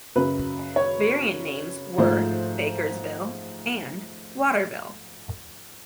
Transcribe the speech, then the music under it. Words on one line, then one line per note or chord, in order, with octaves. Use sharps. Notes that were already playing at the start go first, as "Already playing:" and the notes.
Variant names were "Bakersville" and "Waterville".
F#2 C#3 F#3 B4
C#5
G#2 F3 A3 C5